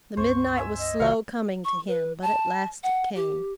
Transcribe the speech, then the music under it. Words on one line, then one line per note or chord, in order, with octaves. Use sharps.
The midnight was slow coming to him; but at last it came.
C#2 G2 C4 C5 C#6
E5 G#5 E6
D#5
B1 C3 D#3 F3 F#3 F5
C#6
B4
A5
F#5
G4